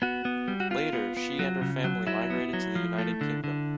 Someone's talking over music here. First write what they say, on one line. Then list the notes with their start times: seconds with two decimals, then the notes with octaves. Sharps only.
Later she and her family migrated to the United Kingdom.
0.02 B3 F#4
0.25 B3
0.48 G3
0.60 F#4
0.71 B3 F4
0.93 B3
1.17 B3
1.39 F#3
1.61 C#3
1.84 F#3
2.07 F#3 E4
2.30 B3
2.53 F#3
2.75 F3
2.98 A3
3.21 D3
3.44 D3